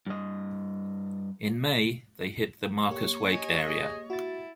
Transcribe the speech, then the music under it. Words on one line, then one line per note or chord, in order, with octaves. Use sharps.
In May they hit the Marcus-Wake area.
G2 D#5
A#3 G4 C#5
D#5 G#5
G#4
E4 F#4 A6